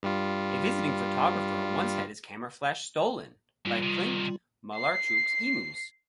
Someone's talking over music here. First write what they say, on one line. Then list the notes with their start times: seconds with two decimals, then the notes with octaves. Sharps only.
A visiting photographer once had his camera flash stolen by Clint Malarchuk's emus.
0.03 G2 G3 F4
3.65 G#2 E3 G3 F4
3.83 C3 D#3
4.76 C7